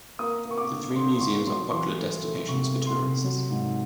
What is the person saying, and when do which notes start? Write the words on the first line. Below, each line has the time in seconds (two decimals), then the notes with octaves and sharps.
The three museums are popular destinations for tourists.
0.19 A#3 D#6
0.45 A#3
0.51 C#6
0.58 D6
0.71 D3
0.96 D3 C6
1.17 C6
1.21 D3 C#6
1.47 F#3 C6
1.72 E3 C6
1.98 A3
2.23 A3
2.48 C3 C#6
2.74 A3
2.87 C6
2.99 C3
3.24 F#3
3.51 G#2